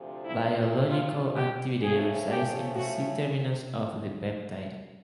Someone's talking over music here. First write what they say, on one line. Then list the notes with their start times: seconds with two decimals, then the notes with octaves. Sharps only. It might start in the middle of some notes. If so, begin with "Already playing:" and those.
Biological activity resides in the C-terminus of the peptide.
Already playing: D2 C3 F3
0.22 E4
0.55 E4
0.86 F4
1.33 G4
1.80 A2 F3 A3 C#4 G#4
2.26 G4
2.74 F#4